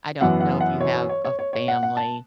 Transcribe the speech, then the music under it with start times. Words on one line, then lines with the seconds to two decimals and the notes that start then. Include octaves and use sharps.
I don't know if you have a family,
0.21 F#2 E3 B3 F#5
0.40 F#5
0.61 F#5
0.81 C#5
0.94 C#5
1.09 C#5
1.25 C#5
1.39 C#5
1.53 C#5
1.68 F#5
1.83 F#5
1.97 A5